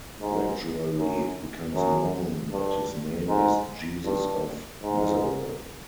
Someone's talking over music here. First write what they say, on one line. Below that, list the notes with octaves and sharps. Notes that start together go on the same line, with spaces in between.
Gradually, it becomes known that his name is Jesus of Nazareth.
G#2
F#2
F#2
G2
G#2
G2
G#2